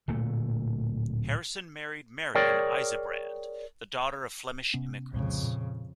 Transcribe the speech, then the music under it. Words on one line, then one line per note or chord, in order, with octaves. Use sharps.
Harrison married Marion Isebrand, the daughter of Flemish immigrants.
D1 D2 A#2 A3
G#4 A#4 C#5 D5 G5
C3 B3 C#4
C2 F2 A#2 C#3 G#3
A#2